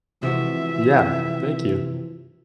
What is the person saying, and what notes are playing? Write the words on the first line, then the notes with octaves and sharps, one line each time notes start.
Yeah, thank you.
C3 E3 F3 G#3 F#4 E5